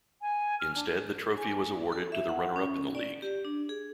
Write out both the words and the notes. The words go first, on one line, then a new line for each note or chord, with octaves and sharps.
Instead the trophy was awarded to the runner-up in the League.
G#5
F6
D4
G#5
A4
E5
F#5
C#4
D5
G4
D4
G#4